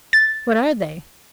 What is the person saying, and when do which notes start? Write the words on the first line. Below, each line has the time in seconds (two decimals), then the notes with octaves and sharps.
"What are they?"
0.13 A6